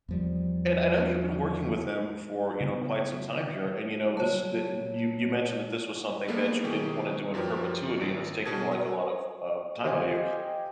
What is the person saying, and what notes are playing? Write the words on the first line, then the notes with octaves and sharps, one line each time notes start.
and I know you've been working with them for, you know, quite some time here, and you know, this the uh you you mentioned that this was something that you didn't wanna do in perpetuity and it's taken, like, a lot of, uh, time out of you.
E2 F3 G3
C#3 B3
C#3 F#3 G3 C#5 A5
A#2
G3 G#3 A#3 B3 E4 A4
B2 D#3 G4 G#4
F#2 F3 F#3 G4 A#4
G#1
B2 G#4 A5 G#6
F#3
G4 C5 D#5 F5 G5 G#5